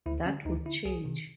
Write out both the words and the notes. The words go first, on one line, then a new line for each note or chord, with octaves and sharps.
That would change.
D2 E4
D3 C#4
D2 D#4
D3 E4
C2 G#4
C3 D#3